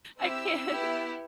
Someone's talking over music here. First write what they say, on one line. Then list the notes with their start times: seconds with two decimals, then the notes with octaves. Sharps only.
I can't.
0.20 C4 E4 G4 E6
0.69 B3 E4 G4